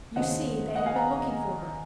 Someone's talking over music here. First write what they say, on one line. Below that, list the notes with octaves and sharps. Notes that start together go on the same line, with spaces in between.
You see, they had been looking for her.
D#2 C#3 F3 D#5 F#5
D#5 F#5
F5 G#5
F#5 A#5